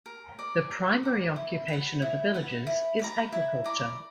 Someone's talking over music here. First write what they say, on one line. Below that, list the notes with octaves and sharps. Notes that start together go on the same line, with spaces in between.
The primary occupation of the villagers is Agriculture.
A#4
D5 A#5
A#4
D5 A#5
E4
B4 F#5
E4
B4 F#5
E4
B4 D5 A#5
E4
B4 D5 A#5